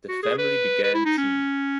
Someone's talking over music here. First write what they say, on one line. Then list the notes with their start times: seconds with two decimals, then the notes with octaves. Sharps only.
The family began tea.
0.08 F#4
0.23 G#4
0.38 B4
0.84 B4
0.94 E4
1.05 D#4
1.18 C#4